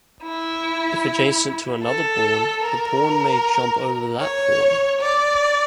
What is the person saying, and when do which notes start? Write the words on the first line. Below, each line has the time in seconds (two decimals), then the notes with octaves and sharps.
If adjacent to another pawn, the pawn may jump over that pawn.
0.23 E4
1.82 A4
2.62 A#4
4.21 C#5
5.00 D5